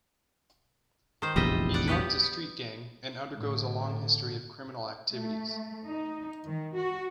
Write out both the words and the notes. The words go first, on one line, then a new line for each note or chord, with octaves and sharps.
He joins a street gang, and undergoes a long history of criminal activities.
D#3 C5
F1 A#1 E2 G3 D#5 E5
D5 F#5
B3 G4 B4
A2 D3
A3
D#4
D#3
F#4